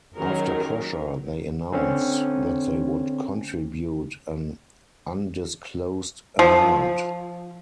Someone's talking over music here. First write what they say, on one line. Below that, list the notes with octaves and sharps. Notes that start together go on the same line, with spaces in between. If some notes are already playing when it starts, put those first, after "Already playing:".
After pressure, they announced that they would contribute an undisclosed amount.
D#3 F#3 C#4 G#4 A#4
D3 C4 C#4
F3